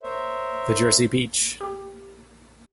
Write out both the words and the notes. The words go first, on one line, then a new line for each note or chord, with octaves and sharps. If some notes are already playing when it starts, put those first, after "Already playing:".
The Jersey beach!
A#4 C5 C#5 E5
G4